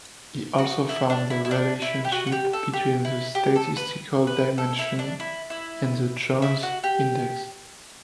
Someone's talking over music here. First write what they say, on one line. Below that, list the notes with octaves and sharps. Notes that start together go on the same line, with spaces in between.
He also found the relationship between the statistical dimension and the Jones index.
F#4
E4
D4
E4
E4
D4
E4
G4
F#4
F#4
G4
A4
G4
E4
G4
A4
B4
B4
A4
E4
D4
E4
E4
E4
F#4
G4